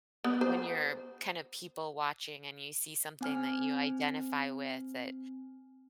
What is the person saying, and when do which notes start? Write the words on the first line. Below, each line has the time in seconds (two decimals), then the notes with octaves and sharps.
when you're, kind of, people watching, and you see something that you identify with that
0.24 B3
0.41 C5
3.21 C4 G#5 F6